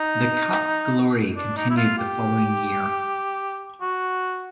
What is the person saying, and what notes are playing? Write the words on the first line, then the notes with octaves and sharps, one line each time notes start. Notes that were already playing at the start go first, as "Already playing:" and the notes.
The cup glory continued the following year.
Already playing: D#4
D4
D#4
E4
F4
G4
F#4